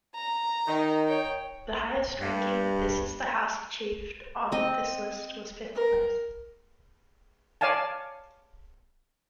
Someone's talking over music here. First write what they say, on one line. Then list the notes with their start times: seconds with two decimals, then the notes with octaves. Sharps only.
The highest ranking "This Is the House" achieved on this list was fifth place.
0.15 A#5
0.68 D#3 D#4
1.08 C#5 G5
2.19 G2
4.52 C4 D#5
5.75 A#4
7.61 C#5 D5 F5 G#5 A5